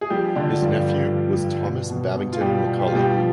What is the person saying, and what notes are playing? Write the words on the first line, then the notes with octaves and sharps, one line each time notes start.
His nephew was Thomas Babington Macaulay.
G#4
F3 G3 G4
D3 F3 D4
G2 F3 F4
G2
F3
G2
B2
B2
B2
F4
B2 G3 G4
B2
G4
F4
B2 G3 G4
F3